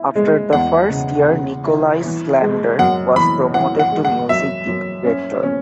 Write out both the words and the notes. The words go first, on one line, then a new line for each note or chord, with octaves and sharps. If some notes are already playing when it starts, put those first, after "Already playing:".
After the first year, Nicole Sandler was promoted to Music Director.
Already playing: E4
G#3
E2 F#5
C#3
C#3
E4
E3
G#3
F#2 F#5
E3 B5
E3 F#5
F#5
G#3
F#5
F#2 E5
F#2
C#4
C#4